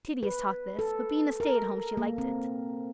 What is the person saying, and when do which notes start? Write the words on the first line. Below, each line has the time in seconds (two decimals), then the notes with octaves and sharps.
Tedious talk this, but being a stay-at-home she liked it.
0.23 B4
0.79 A4
1.40 A#4
1.97 A#3
2.18 C4